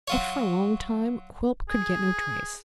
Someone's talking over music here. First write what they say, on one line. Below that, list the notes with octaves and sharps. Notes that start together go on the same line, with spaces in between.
But for a long time Quilp could get no trace.
F#3 F4 C#5
G#4